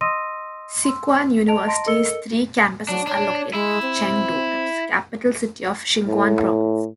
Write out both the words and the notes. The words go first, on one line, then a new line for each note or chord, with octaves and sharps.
Sichuan University's three campuses are located in Chengdu, the capital city of Sichuan Province.
D#5 C6 D#6 E6 A#6 D#7
C6 E6
D#5 A5 D7 F7
D#5 A5 A#5 C6 A#6 D7
A4 A#4 D#5 E6 C#7 G7
F#3 D4
D4 C#5
G#3 E4
C4
A2